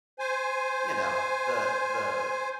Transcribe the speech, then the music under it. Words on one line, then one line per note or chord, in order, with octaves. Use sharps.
you know, the the
C5 G#5